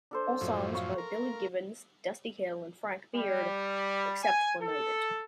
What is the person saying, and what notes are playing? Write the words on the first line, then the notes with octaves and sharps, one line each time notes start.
All songs by Billy Gibbons, Dusty Hill and Frank Beard, except where noted.
D4 A4 C5
F#2 A2 F3
F5 C#6
A#4
G3
G#5
A4